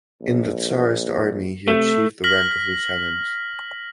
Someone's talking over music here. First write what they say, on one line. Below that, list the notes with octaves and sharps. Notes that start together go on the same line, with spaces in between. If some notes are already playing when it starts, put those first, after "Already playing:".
In the Tsarist Army he achieved the rank of lieutenant.
A#1
C3 A3
F6 A#6 B6 F#7